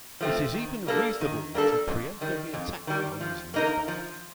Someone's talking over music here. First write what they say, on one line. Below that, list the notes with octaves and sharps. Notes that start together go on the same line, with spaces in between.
It is even reasonable to preemptively attack one's neighbour.
F3 A3 C4
D#3
G3 A#3 D4 A4
D#3
G3 A#3 D4 A4
F2
D#3 G3
F2
D#3 G3
F3
A#3 D#4 A#4
F3